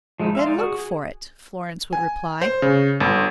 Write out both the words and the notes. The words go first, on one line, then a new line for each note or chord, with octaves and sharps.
"Then look for it!" Florence would reply.
F3 G#3 A3 D#4 E4
E5 F5 C6
G#3 D#4 D5
F#4 G#4
G#4
G#5
C5
C#3
G1